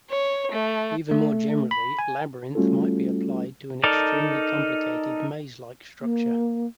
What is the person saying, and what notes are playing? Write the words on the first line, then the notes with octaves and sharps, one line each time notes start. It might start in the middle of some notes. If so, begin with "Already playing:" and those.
Even more generally, "labyrinth" might be applied to any extremely complicated maze-like structure.
C#5
A3
A3
B5
G#5
G3 A3 C#4 F4 F#4 A4
D#4 A4 A#4 D5
A#3